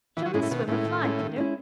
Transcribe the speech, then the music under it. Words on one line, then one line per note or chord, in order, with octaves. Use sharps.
"Shall we swim or fly, Peter?"
D#3 E3
F#3
G#2 G#3 C#4 E4
A2
B2 D#3
A2 G#3 C#4 E4
D#3
G#3 C#4 E4
D#3
G#3 C#4 E4